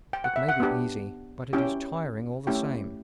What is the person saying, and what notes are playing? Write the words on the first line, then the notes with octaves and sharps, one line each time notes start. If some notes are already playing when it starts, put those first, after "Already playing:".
"It may be easy, but it is tiring all the same."
G5
F#5
E5
F#5
B3 D4 G4
C#4 E4 G4 G5
A3 C#4 E4 G4 G5